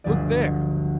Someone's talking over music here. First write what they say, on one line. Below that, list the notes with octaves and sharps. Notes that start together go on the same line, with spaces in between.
"Look there!"
G1 D2 F3 D5